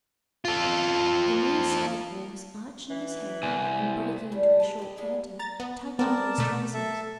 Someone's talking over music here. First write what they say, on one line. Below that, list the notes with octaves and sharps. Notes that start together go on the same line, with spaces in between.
The near side horse, arching his head and breaking into a short canter, tugged at his traces.
F4 A4
E3
C2 B3 G#5
D3 G3 A3
G#3 B4 A5
G4 D#5
G3 G#3 E4
A#5 A6
B3
B3 C4 A#4 D5 A5
B2 A3
A4 E5